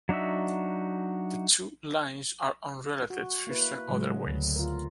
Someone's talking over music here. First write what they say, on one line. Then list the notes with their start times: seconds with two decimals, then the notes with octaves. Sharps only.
The two lines are unrelated systems otherwise.
0.09 F#3 D4 D#4 F#4 E5
3.10 F#4
3.47 A#3 E4 B4
3.88 A2 C#3 F#3 G#3
4.24 D2
4.56 F4 A#4